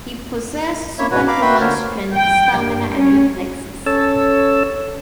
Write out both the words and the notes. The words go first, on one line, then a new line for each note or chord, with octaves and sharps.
He possessed superhuman strength, stamina, and reflexes.
A#3 E4 C#5 E5
G#2 B2 F#4 B4 C#5
F5 A#5 B5 D6
F#4 B4 E5 G5 B5 C6
D3 F4 A#4 C5 C#5
G5
G2
C#4
C#4 A4 C#5 A5 E6